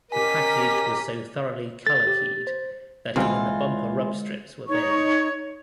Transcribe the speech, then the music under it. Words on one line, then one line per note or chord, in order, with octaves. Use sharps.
The package was so thoroughly color-keyed that even the bumper rub strips were beige.
C#4 G4 A#4 D#5 G#5 D6 B6
A4 A6
G4
C5
C2 D3 E3 G#3 C4 F4 F5
D#4 C#5 C#6